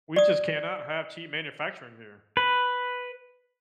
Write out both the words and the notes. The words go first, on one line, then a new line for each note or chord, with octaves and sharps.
We just cannot have cheap manufacturing here.
D5 D#6
B4